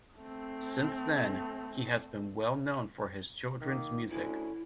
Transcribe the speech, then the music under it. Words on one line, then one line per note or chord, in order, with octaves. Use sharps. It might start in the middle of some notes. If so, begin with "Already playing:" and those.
Since then, he has been well known for his children's music.
A3 C4
D#3 A#3
D2 D3 C#4 E4